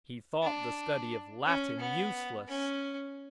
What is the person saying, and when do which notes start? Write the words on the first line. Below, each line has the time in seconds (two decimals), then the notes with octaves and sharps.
He thought the study of Latin useless.
0.42 D4
1.45 C#4
1.79 B3
2.48 C#4